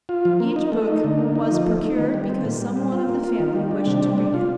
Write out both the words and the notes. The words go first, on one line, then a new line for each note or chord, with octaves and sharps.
Each book was procured because some one of the family wished to read it.
F4
F3
A#3
D#4
A3
D#4
D3
A#3
D#4
F3
A3
D#4
D#3
G3
C4
A#2
G3
C4
F4
A#3
F4
D#3
G3
D4
C3
G3
D4
F4